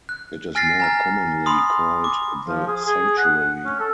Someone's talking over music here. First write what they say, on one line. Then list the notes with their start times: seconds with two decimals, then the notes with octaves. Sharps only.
It is more commonly called the sanctuary.
0.09 F#6
0.55 G#5 F6 A6 A#6 C7
0.80 G#5 A#5 F6
1.46 B5 C6 D#6
2.04 D6
2.46 F3
2.67 G#4
2.85 G#4
3.18 F#5
3.65 C#4
3.80 A4